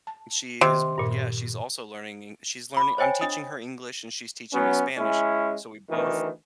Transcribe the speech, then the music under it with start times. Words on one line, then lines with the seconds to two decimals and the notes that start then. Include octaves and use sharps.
She's yeah, she's also learning En she's learning I'm teaching her English and she's teaching me Spanish, so we both
0.07 A5
0.61 C3 D#3
0.98 G2 A#2
2.77 B5 D6
2.98 C5 C#5 D#5 G5 G#5
3.21 D4 D#5 D#6
4.53 F#3 B3 C#4
4.97 G#3 C#4 E4
5.89 D2 D#3 E3